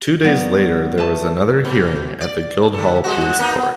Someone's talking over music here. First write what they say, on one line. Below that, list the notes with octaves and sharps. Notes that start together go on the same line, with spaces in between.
Two days later there was another hearing at the Guildhall police court.
F#3 B3 D5 F5
A3 B4 A5
B2
D5
D3 A4
G3 G#3 F#4
A#3 B3 D#4
B3